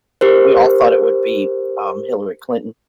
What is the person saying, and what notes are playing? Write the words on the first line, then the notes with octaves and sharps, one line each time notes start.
we all thought it would be, um, Hillary Clinton.
G4 A#4 C5